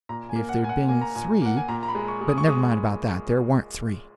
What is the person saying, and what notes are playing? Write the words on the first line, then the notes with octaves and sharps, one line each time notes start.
If there'd been three--But never mind about that, there warn't three.
A#2 A#5
G#5
A#3
F#5
A#3 G#5
F#5
A#3 G#5
A#5
A#2 G#5
A#3 F#5
G#5
A#2 A#5
A#5
B5
G#3
C#6
G#3
D#6
C#6
G#3 D#6